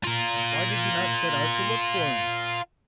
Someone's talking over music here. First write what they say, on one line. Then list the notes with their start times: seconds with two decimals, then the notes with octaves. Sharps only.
Why did you not set out to look for him?
0.04 F4 A#4